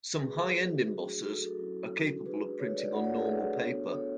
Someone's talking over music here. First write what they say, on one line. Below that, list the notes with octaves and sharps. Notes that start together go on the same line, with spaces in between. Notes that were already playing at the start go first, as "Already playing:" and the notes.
Some high-end embossers are capable of printing on normal paper.
G#3 D4 F#4 G#4 B4
F#4 A4
F#4
G#4
F#4
F#3 A3 D4 F#4 G#4
F#4 A4
F#4 A4
F#3 C#4 E4
G#3 D4 F#4 G#4 B4
A4 C#5
B4 D5
A3 D4 F#4 D5 F#5
A4 C#5
G#4 B4
A4 C#5
B3 D4 F#4
A4 C#5